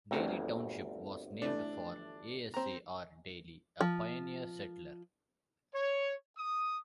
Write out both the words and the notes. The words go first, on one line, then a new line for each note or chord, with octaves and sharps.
Dailey Township was named for Asa R. Dailey, a pioneer settler.
G1 D2 A3 C4 A#4
E3 A3 D4
C4 A#5
F3
C#5
D#6